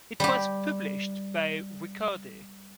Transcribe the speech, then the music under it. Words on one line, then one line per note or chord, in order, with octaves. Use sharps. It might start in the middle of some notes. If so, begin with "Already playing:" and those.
It was published by Ricordi.
G3 G4